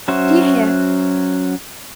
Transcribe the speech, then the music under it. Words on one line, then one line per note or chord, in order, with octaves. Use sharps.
Do you hear?
F#3 C#4 F#4 C5 E5